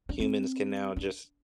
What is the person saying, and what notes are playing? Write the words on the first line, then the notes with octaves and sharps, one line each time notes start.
humans can now, just
D4
C4
D4